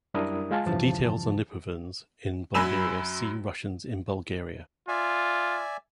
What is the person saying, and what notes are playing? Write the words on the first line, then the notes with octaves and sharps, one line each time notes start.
For details on the Lipovans in Bulgaria, see Russians in Bulgaria.
F#2 G3 D4 E4 A#4 D#6
G#3 F4 F5 G#5 A5
E2 G2 C#3 E3 F3 A5
F#2 F#3 G#5 B5 E6 E7
F4 D5 E5 G#5